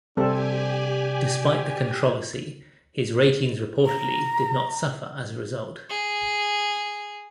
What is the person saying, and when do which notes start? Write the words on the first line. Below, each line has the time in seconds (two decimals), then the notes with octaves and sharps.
Despite the controversy, his ratings reportedly did not suffer as a result.
0.17 C3 G3 C4 D4 G4 A4 G#5
3.86 A#5
5.90 G#4